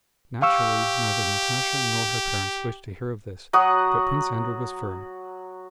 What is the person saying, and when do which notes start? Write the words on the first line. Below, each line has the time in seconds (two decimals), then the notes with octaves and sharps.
Naturally neither Natasha nor her parents wished to hear of this, but Prince Andrew was firm.
0.42 G4 F5 C#6 E6
3.53 F#3 F#4 F#5 D#6